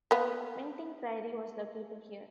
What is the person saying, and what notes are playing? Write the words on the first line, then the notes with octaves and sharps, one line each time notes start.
Minting Priory was located here.
A#3 B3